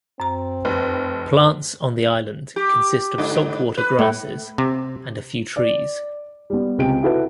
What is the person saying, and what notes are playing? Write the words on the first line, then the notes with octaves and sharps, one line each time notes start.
Plants on the island consist of salt-water grasses and a few trees.
F#2 C4 A#5
F1 B4
G4
G#2 D3
B4
A2
C3
D5
G3 B3
C#2 C3 G5 D7
E4 F#4 A4 B4 E5